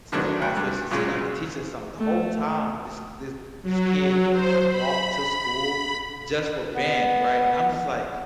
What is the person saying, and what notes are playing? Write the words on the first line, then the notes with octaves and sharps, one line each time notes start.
to office to see, like, a teacher or something. The home time, this this this kid walked to school just for band, right? And I'm just like
A2 D3 D#3 F#3 D4
D2 G5
G2
B1 A#2 C#3 F#3 G#3
A3
F#3
C5
B5
B3